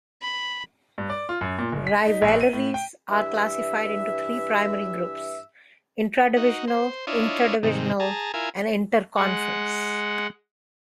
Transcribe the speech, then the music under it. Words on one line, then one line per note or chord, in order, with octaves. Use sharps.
Rivalries are classified into three primary groups; intradivisional, interdivisional, and interconference.
B5
G2
D5
F4
F#2
A#2
F#1
B6
D#4
A#1
D#7
A2
G5
G2 E3 E5
D#4 F#4
C5
D4 E4 F4 C#5 D#5
G#2 C3 D#3
G#4 A5 A#5
E4 F4 A#4 G#5
G#3 F#5